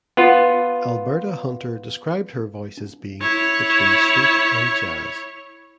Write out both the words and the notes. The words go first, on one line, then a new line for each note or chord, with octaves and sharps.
Alberta Hunter described her voice as being "between sweet and jazz".
B3 F4
E4 C#5